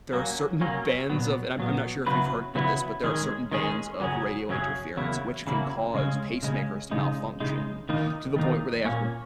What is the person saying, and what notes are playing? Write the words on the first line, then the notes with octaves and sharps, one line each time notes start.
there are certain bands of and I'm I'm not sure if you've heard of this, but there are certain bands of radio interference which can cause pacemakers to malfunction to the point where they have to
F#3 A#3 C#4
F#3 A#3 C#4
A#2 F#3 B3
A#2 F#3 B3
C#3 F#3 B3 E4 B4
C#3 F#3 B3 E4 B4
D#3 G#3 C#4 G#4
D#3 G#3 C#4 G#4
F#2 C#3 F#3 C#4 G#4
F#2 C#3 F#3 C#4 G#4
E2 C#3 F#3 A#3 E4
E2 C#3 F#3 A#3 E4
C#3 G#3 C#4
C#3 G#3 C#4
C#3 G#3 D#4
C#3 G#3 D#4
D#3 A#3 D#4
D#3 A#3 D#4
A#2 A#3 C#4